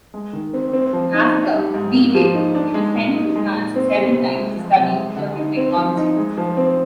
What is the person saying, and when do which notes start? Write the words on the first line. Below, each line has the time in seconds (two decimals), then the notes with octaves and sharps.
After D-Day he was sent to France several times to study German technology.
0.14 G#3
0.33 D#3
0.53 C4
0.73 C4
0.93 F3
1.14 D#4
1.34 D4
1.53 G3
1.74 G#2
1.94 A#3
2.15 F3
2.34 D#4
2.55 D4
2.74 G#3
2.94 A#2
3.15 D#4
3.36 G#3
3.56 A#2
3.76 C4
3.95 G3
4.16 C3
4.36 G#3
4.56 F3
4.76 C3
4.96 G#3
5.16 D3
5.37 D#4
5.57 C4
5.77 F3
5.97 D#4
6.17 G#3
6.38 F3
6.57 C4